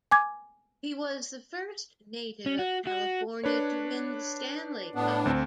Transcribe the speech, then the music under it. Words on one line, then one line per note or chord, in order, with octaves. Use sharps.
He was the first native of California to win the Stanley Cup.
G#5 D6 G#6
C#4
F#4
F#4
D4 B4 C#5
A2 B3 D4
D2 C4